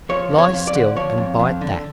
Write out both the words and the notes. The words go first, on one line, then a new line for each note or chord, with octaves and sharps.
Lie still and bite that.
F3 C#5
F2
C#5
F2
D5
D3
F3 C#5
F2
F2
D3